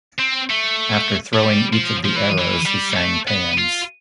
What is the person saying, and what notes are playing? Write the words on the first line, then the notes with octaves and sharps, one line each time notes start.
After throwing each of the arrows he sang paeans.
C4
A3
A3
G3
F3
F3
E3
E3
G3
A3
B3
F4